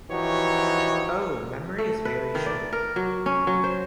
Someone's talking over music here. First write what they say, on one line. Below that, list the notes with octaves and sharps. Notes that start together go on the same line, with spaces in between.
Oh, memory is very short!
E3 F3 D#4 F#4 G4 C#5
A3
B4
D#3
D5
A#4
F#3
C#4
F#3
C5